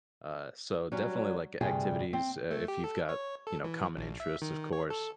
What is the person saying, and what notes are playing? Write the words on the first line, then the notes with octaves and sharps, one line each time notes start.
Uh, so, definitely, like, activities, eh, if you've got, you know, common interests, of course.
F#3 G3 C#4
D2 G2 C3 G3 G#4 G5
C4
A3
G4
A4
C#5
A4
E3
A#1
E5
D#3
C#5
A4